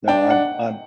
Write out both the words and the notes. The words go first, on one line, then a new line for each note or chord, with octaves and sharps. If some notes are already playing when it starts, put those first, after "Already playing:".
No, I'm I'm
D4 G5
F#5